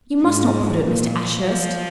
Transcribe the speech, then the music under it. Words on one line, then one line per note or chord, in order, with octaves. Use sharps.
You must not put it, Mr. Ashurst.
G#2
A#2
F3